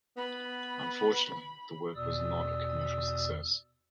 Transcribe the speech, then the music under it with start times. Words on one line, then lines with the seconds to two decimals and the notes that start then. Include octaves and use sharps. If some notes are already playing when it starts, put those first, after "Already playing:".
Unfortunately the work was not a commercial success.
0.17 B3 B5
1.95 E2 B2 D5 D#6 E6